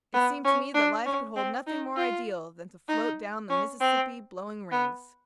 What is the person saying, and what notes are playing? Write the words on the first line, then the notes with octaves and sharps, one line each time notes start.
It seemed to me that life could hold nothing more ideal than to float down the Mississippi blowing rings.
B3
C#4
D4
C#4
C4
D#4
F4
D#4
C#4
C4
B3